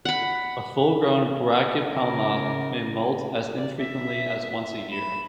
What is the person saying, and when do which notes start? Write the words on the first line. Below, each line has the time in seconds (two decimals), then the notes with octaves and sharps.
A full-grown "Brachypelma" may molt as infrequently as once a year.
0.05 F#5 B5
1.88 C#3 A#4
3.56 D5
3.78 E5 B6
4.91 B5 E7